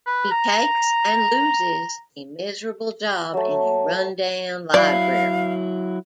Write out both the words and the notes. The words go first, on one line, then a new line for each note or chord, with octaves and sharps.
He takes and loses a miserable job in a run-down library.
B4
A#5
F#3 A3
F#3 E4 D5 F5